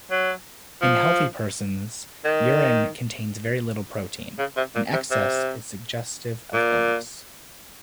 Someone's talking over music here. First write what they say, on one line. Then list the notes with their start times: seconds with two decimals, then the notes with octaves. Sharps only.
In healthy persons, urine contains very little protein; an excess is suggestive of illness.
0.11 F#3
0.82 F3
2.25 D#3
4.39 C#3
4.57 C3
4.75 A#2
4.93 C3
5.11 C3
6.54 A#2